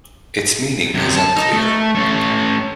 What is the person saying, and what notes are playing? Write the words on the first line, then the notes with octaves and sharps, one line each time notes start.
Its meaning is unclear.
F#2 C3
A5
D#4
A3
A3 C#4